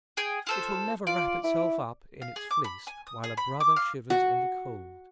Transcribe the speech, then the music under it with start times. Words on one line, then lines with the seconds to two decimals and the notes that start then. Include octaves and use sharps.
It will never wrap itself up in its fleece while a brother shivers in the cold.
0.17 G#4 G5
0.47 F4 A4 C5
1.07 F4 D5
1.44 E4
2.22 F5
2.36 G#4
2.51 D6
2.64 B5
2.87 G#5
3.07 D#6
3.24 G#4
3.37 B5
3.60 D6
3.76 F5
4.10 F#4